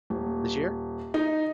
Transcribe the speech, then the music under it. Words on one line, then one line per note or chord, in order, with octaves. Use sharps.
This year?
D#1
D#4